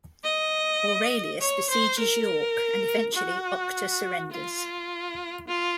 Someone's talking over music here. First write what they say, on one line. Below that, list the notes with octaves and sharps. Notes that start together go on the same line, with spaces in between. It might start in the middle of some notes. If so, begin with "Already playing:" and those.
Aurelius besieges York, and eventually Octa surrenders.
D#5
C#5
C5
A#4
F#4
F4
F4